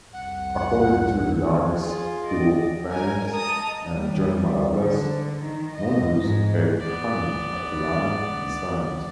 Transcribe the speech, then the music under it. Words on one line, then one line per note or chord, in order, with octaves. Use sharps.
According to Jordanes, Theophanes and John Malalas, Mundus had Hunnic Attilanic descent.
C2 F2 F#5
F4 G#4
D5 D#5
A#4 G#5
D#5 A5 A#5 D#6
G3
D3
D#3
D#5
G#2
B3 D5